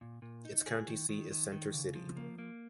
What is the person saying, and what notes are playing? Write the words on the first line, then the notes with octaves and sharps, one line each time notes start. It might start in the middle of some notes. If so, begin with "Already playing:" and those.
Its county seat is Center City.
A#2
A#2
D#4
G#4
D#3
D#3
D#3
D#3
C#3
F3
A#3
A#3